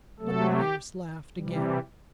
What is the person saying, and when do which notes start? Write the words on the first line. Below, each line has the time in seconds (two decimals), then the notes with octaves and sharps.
But Myerst laughed again.
0.19 C3 F#3 A3 A4
0.49 G4
1.37 C3 E3 G3